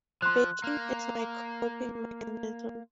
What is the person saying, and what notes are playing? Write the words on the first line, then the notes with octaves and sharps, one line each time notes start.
Baking is my coping mechanism.
F3 C6 F#6
A#3